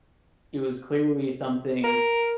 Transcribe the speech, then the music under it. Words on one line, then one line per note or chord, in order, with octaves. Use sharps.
it was clearly something,
A#4